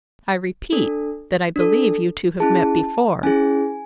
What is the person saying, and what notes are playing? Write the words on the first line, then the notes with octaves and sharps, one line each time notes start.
"I repeat that I believe you two have met before."
D4 A4
D4 A4
C#4 E4 G#4 A5
C#4 E4 G#4 G#5